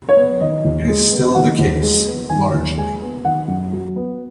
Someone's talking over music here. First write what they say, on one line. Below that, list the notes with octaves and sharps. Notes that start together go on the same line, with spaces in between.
It is still the case, largely.
C#5
B3
D#3 D#5
D#2
G#3
B3
D#3 F#5
D#2
G#3
B3
D#3 G#5
D#2
G#3 G#5
B3
D#3 F#5
F#2
F#3
B3